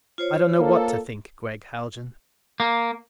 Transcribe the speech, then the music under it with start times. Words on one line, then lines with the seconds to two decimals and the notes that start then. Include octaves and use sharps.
"I don't know what to think, Gregg Haljan...."
0.18 F4 C5 C#5
0.59 A#3 A4
2.60 A#3